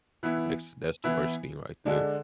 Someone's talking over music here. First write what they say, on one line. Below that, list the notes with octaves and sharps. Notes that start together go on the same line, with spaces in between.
That's that's the worst thing right there.
E3 B3 E4
E3 B3 E4
D3 G#3 D4